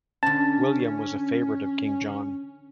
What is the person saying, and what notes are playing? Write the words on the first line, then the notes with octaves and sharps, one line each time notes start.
William was a favourite of King John.
D3 C#4 C5 A5